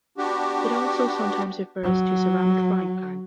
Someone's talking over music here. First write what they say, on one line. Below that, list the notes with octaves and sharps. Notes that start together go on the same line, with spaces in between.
It also sometimes refers to ceramic frying pan.
B3 D4 F#4 G4
F#3